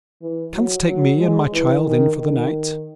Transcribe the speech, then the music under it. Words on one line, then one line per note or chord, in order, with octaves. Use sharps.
"Canst take me and my child in for the night?"
E3
F#3
F#3
G#3
E3
D#3
D#3